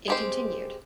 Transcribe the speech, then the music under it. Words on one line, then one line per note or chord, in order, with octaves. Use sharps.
It continued.
G#3 C4 G4 C5